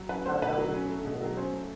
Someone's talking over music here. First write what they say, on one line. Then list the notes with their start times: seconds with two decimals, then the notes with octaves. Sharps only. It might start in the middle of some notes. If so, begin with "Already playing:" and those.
that that would'nt be cool.
Already playing: F#3
0.09 C#4 B4
0.26 A3 C5
0.42 B2 B4
0.58 F#3
0.74 C#4
0.89 A3
1.05 B2
1.22 F#3
1.37 C#4 C5
1.53 A3